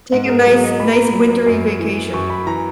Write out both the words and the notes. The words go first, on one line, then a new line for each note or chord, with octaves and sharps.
Take a nice nice wintery vacation.
G#2 F#5
G#4
A#4
F#3 G#4
D#5
A#2 B5
A#5
B5
F#3
F#2
E3
F#2 C#6
B5
E3 A#5